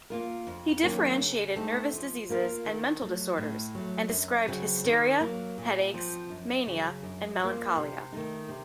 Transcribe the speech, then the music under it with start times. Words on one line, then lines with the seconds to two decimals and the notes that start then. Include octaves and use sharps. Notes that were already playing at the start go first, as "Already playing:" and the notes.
He differentiated nervous diseases and mental disorders and described hysteria, headaches, mania and melancholia.
0.10 A#3 F4 A#4
0.47 F2
0.83 D#3 F#3 A#3 C#4
1.20 C#3
1.56 A3 C4 D#4 A4
1.93 F3
2.29 A#3 F4 A#4
2.65 D#3
3.01 F#3 A3
3.38 A2
3.75 F#3 A3
4.11 F#2
4.48 C#3 F#3 C4 F#4
4.85 D#3
5.21 F#3 A#3
5.58 A#2
5.94 F3 C4
6.30 F#2
6.67 C#3 F#3
7.03 F#2
7.40 F3 A#3
7.77 C3
8.12 D#3 A3 D#4
8.49 C3